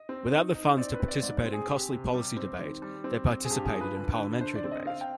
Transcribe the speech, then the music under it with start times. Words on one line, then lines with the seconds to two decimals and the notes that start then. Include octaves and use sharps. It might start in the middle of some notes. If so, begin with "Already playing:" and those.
Without the funds to participate in costly policy debate, they participated in parliamentary debate.
Already playing: D#5
0.09 C4
0.32 D#4
0.55 D#4
0.77 C4 D5
0.93 B4
1.00 C4
1.08 D5
1.22 G#2 D5
1.37 C5
1.45 C4
1.53 G#4
1.68 C4 G4
1.92 C3
2.14 G3
2.37 C4
2.60 D#3
2.82 G3
3.04 C4
3.27 C4
3.45 G#4
3.50 G2 G4
3.65 G#4
3.73 F3
3.81 B4
3.96 D3
4.18 D3
4.41 D3 C5
4.55 D5
4.64 C4
4.72 D#5
4.86 C4 F5
5.01 G5